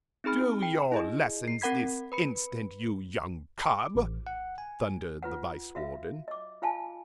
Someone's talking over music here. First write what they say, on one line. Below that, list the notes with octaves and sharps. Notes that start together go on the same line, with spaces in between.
"Do your lessons this instant, you young cub!" thundered the Vice-Warden.
C4 D#4 G#4 B5 F6
G5
E4 G#4 D#5
C7
C4 A#4 F#5 B5 G#6 B6
B4 B5 C#7
D6
A1
F#5
G#5
F4 B4 F#5
F#4 E5 F5
D#5 D6
F4 F5 G#5 A5